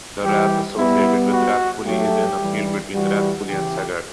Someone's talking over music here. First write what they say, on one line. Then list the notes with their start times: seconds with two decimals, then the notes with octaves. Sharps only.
The rath associated with Rathcoole is in a field between Rathcoole and Saggart.
0.24 E3 G3 G4
0.78 G3 B3 E4
1.33 F#4
1.86 F#3 A3 G4
2.41 E3 G3
2.94 E3 G3 F#4
3.48 C#3 E3 G4